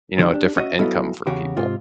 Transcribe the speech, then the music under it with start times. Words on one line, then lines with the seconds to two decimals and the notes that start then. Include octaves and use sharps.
you know, a different income for people.
0.19 D3 F3 G3 A#3 C4 D#4
0.34 D4 G4
0.56 C#4 F#4 D#5 E5
0.79 F#3 B3 E4 A4 D#5 F5
1.27 E2 C#3 F#4 G4 F5
1.57 G#2 C3 C4 F4